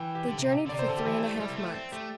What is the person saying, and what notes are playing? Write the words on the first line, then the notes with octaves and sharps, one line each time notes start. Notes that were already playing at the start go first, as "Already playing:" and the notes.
THEY journeyed for three and a half months.
Already playing: E3 G5
G4
D3
C3
D3
C3 D5
C5
D3 A4
G4
E3 E4
A3
A3
G3
C4
A3
C4
A3 G4